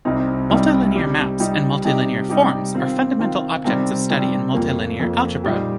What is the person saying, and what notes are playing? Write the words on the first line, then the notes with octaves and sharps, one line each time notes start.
Multilinear maps and multilinear forms are fundamental objects of study in multilinear algebra.
C2 C3 G3 C4 D#4
C2 C3 G3 C4 D#4
C3 G3 D#4 G4
C3 G3 D#4 G4
C3 G3 D#4 G4
C3 G3 D#4 G4
D#3 C4 F4
D#3 C4 F4
C3 D#3 G3 C4
C3 D#3 G3 C4
F2 F3 A#3
F2 F3 A#3
A#2 G3 D#4 G4